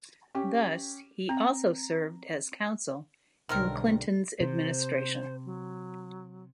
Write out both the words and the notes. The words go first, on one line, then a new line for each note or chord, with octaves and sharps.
Thus, he also served as counsel in Clinton's administration.
C#4 G4
C4 A#5
B1 D3 D#3 G3 C4 A#4
C3 C5
F#3